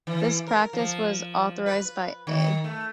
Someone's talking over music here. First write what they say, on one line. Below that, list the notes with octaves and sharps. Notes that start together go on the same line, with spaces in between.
This practice was authorised by A.
E3
A#4
F3
B4
D#3
A3